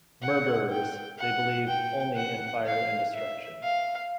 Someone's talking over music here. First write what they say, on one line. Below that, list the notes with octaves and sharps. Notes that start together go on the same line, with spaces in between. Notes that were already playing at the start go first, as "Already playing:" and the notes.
Murderers, they believe only in fire and destruction.
F#5
G5
F#5
G5
F#5
F5
E5
F5